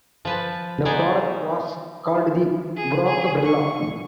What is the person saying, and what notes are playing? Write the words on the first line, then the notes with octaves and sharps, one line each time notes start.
The product was called the Brockabrella.
F3 B4 A5
B3 D#4 G#4 C5 D5
G#4
G#4
C#6